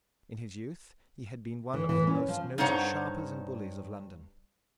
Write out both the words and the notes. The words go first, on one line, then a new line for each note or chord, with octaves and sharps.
In his youth he had been one of the most noted sharpers and bullies of London.
E3
E3
C#4
F3
G2 D#4 C5 C#5 F#5